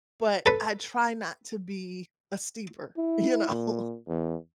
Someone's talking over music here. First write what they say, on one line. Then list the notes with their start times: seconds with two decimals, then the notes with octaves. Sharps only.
but I try not to be a steeper, you know,
0.46 A4 B4
2.97 E4
3.49 A#2
4.08 E2